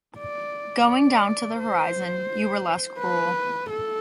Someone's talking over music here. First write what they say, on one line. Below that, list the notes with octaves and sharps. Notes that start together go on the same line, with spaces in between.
Going down to the horizon, you were less cruel.
D5
D5
C5
B4
A4